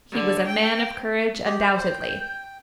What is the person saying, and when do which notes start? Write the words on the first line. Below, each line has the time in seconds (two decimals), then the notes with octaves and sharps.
He was a man of courage undoubtedly.
0.12 D3
0.47 G5
1.45 G4 D#5
1.60 G6
1.75 C5
1.90 G5